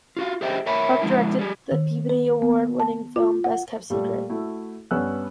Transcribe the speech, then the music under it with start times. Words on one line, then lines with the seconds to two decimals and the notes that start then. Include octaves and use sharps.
Buck directed the Peabody Award winning film "Best Kept Secret".
0.17 F4 F#4 F5
0.41 G4 G#4 C5 D#5 E5 G5
0.66 A#4 C#5 E5 G#5 B5
1.02 D3 F3 G#3 B3 E4
1.39 G3 G#4
1.71 D#3
2.09 B4
2.42 B3
2.80 A5
3.16 F4
3.44 F#5
3.90 A#2 G3 A3
4.30 A3 E4 F#4
4.91 G2 B3 C#4 G#5 E6 F#6